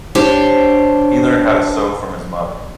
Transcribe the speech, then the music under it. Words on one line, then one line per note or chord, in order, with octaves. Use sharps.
He learned how to sew from his mother.
D4 G4 C5 C#5